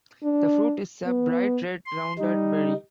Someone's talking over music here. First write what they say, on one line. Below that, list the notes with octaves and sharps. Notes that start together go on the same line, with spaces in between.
The fruit is a bright red rounded berry.
D4
B3
C6
G3 D#4